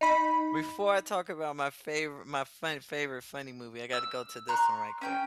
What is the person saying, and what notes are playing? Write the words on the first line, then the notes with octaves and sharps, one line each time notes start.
Before I talk about my favori my fun favorite funny movie, I gotta go to this one right quick.
D#4 B5
E6
A#5 C6 C#6 F#6
C#4 G5 G6